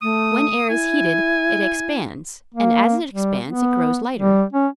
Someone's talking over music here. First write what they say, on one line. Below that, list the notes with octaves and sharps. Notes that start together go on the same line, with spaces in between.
When air is heated it expands, and as it expands it grows lighter.
A3 D#6
E4 G#5
A#3
G3
B3
G3
C#4